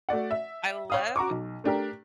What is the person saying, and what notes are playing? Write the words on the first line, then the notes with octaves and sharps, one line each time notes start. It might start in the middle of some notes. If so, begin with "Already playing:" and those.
I love
A3 F#4 D5 F#5
E5
C#5 F5 D#6
F#4 A#5 C#6 D6
B1
A3 D4 G4 A#4